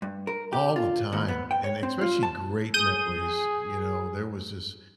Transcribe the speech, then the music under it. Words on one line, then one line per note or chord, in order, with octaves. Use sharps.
All the time, and especially great memories, you know? There was this,
G2
A#4
G4
F4
D#2
B3
G5
C#5
C4
F4
A5
G#4 D#6 G6 D#7